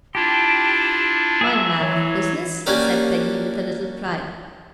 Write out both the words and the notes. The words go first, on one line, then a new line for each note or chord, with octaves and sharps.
"My man of business," said Peggy, with a little pride.
D4 E4 F4 G4 A5
F#3 G#4 E5
E3 C#5
A#3 C#4 D4 F#4 G4 A#4